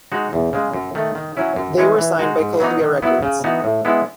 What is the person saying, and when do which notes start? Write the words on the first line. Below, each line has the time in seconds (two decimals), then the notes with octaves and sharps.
They were signed by Columbia Records.
0.12 G#3 D#4 F#4
0.33 E2
0.53 C#3 G#3
0.73 F#2
0.95 D#3 A3
1.15 D#3
1.37 F#3 C#4 E4
1.56 F#2
1.78 E3 G#3 C#4
1.99 E3
2.19 G#3 D#4 F#4
2.39 G#2
2.60 F#3 B3 D#4
2.81 D#3
3.02 F#3 B3 E4
3.23 C#3
3.44 E3 B3 D#4 F#4
3.64 A2
3.85 G#3 B3 E4